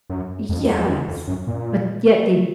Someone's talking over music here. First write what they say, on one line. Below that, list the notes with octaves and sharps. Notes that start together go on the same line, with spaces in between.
Yes, but yet they
F#2
F2
F2
F#2
F2
F#2
A#2